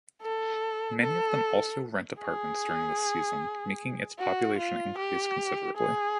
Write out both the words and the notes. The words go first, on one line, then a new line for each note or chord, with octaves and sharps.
Many of them also rent apartments during this season, making its population increase considerably.
A4
A4
G#4
F#4
F4
G4
G#4